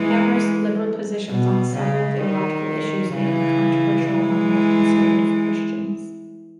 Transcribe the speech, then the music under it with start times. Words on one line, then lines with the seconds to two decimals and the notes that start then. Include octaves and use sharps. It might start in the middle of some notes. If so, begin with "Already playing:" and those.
Hammar's liberal positions on several theological issues made him controversial among more conservative Christians.
Already playing: E3 G#3
1.30 B2
1.75 C#3
2.22 D#3
3.14 C#3 E3
4.06 E3 G#3